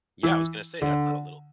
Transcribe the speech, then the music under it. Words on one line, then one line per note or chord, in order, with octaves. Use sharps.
Yeah, I was gonna say that's not a little thing.
E3
D3